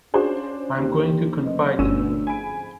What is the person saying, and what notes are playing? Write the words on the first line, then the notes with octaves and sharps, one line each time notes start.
I’m going to confide in you.
C#4 D4 F4 F#4 G#4 C5
D#2 G4
F#1 B3 B4 D#5
G1 D2 B3 C#4 E6 D#7 E7
F2 G#2 G#5 B5 D7